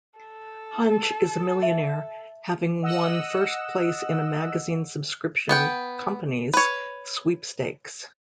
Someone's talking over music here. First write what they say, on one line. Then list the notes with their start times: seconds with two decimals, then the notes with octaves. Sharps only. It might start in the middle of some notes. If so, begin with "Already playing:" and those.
Hunch is a millionaire, having won first place in a magazine subscription company's sweepstakes.
0.20 A4
1.63 E5
2.82 D#5 F#5 E6
5.49 B3 F#5 G5
6.54 B4 C#5